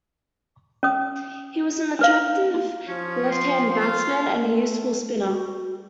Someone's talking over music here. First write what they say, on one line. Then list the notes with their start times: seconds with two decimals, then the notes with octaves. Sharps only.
He was an attractive left hand batsman and a useful spinner.
0.83 C#4 D#6
1.99 D4 B4 F5
2.88 F3 C#4
3.31 C6
3.79 F4
4.42 A3
5.25 F#4